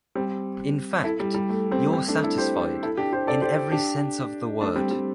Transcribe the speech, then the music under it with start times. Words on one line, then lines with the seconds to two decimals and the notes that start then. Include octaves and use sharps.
In fact, you’re satisfied, in every sense of the word.
0.15 G3 C4
1.04 E4 A4
1.20 G3
1.34 G3
1.49 A3
1.71 G3 C4
1.93 G3 C4
2.08 A3 D4
2.23 E4 A4
2.38 G4 C5
2.83 E4 A4
2.97 D4 G4
3.13 G4 C5
3.27 A4 D5
3.42 G4 C5
3.72 D4 G4
4.61 A3 D4
4.76 G3 C4
4.91 G3